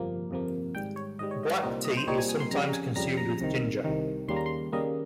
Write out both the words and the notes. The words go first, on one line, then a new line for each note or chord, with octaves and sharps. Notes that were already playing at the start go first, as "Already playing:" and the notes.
Black tea is sometimes consumed with ginger.
Already playing: G1 F2 C3 F3 A#3
G1 F2 C3 F3 A#3
G#1 G#2 G3 G5
C#5
G#1 G#2 G3 D#5
C#5
D#5
C2 A#2 G3 C4 D#4 D#5
D#5
C5
C2 A#2 G3 C4 D#4 C#5
G#5
G#5
C6
F2 C#3 G3 A#5
A#5
G#5
F2 C#3 G3 A#5
A#5
C2 C3 D#3
C2 C3 D#3
D#2 C#3 G3 A#3 C6
A#5
C6
D#2 C#3 G3 A#3 D#5